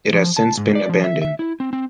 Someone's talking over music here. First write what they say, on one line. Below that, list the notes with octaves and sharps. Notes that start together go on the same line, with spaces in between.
It has since been abandoned.
F3
A5
G#2
D5
F3
E5
E5
E4
C4
C4